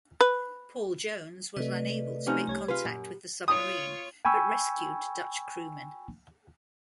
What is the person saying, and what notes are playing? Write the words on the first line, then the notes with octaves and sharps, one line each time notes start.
"Paul Jones" was unable to make contact with the submarine, but rescued Dutch crewmen.
B4
C3 A3 B4 D5 D#5
F3 C4 C#4 D#4 G4
C2 G4 C#5 G#6
C3 F4 G#4 B4
F#2 A#2
F4 C#5 D#6
G5 G#5 B5 C#6 E6